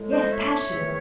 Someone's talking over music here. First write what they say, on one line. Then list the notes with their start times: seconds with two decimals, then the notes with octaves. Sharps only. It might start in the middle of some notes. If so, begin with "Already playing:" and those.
Yes, passion.
Already playing: A2 G#3
0.10 C5 D#5
0.31 C#5 E5
0.74 E2 D#3 A3